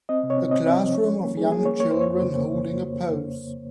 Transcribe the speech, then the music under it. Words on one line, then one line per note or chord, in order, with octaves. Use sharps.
A classroom of young children holding a pose.
C4 D#5
C3
C#5
C4
C4 D#5
C4
F3
C#4 C#5
G3
A#3
G3 G#4
A#3 G#4
A#3 C#5
A#3 C#5
F2 C5
C#5
F2
C#3
A#3